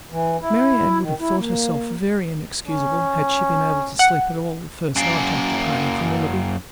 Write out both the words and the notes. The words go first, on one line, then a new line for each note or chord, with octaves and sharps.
Marianne would have thought herself very inexcusable had she been able to sleep at all the first night after parting from Willoughby.
E3
E4
D#3
E4
A#3
C#4
F#5
F#2 A#3